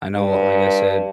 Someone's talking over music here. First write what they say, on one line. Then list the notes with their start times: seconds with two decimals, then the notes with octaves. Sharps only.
I know like I said,
0.14 G2